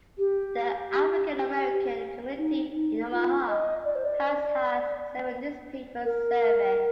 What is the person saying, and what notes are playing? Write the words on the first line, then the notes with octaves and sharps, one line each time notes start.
The African American community in Omaha has had several newspapers serve it.
G4
D#4
D#4
F4
D#5
D5
C5
D5
A#4